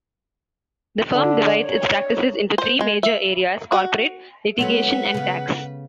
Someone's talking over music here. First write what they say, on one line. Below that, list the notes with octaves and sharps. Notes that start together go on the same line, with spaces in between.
The firm divides its practices into three major areas: Corporate, Litigation and Tax.
D3
C#5
C5
G#3
E5
F#4
F#3 G#3 B3 C#4 A4 B4 F#5
C#3 B3